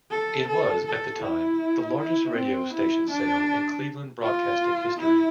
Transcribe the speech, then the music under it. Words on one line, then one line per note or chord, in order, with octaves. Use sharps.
It was, at the time, the largest radio station sale in Cleveland broadcasting history.
A4
A4
A4
E4
E4
C4
E4
D4
F4
E4